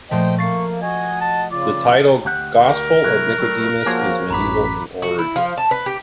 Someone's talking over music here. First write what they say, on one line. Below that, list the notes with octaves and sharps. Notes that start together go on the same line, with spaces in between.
The title "Gospel of Nicodemus" is medieval in origin.
A#2 F3 A3 C5 D#5 G5
A#3 C#6 A6 C7
F#4 D#5 G#5
A5
C#3 F4 D5
D2 G4 F#5
A#4
C3 F#3 E4 F#6
F#3 G3 A3
F3 A#3 F#4 G#4 C#5 G#5
A1 F#2 A#5 B5 D6 B6
F#4
E4
F3
A5
B4
G4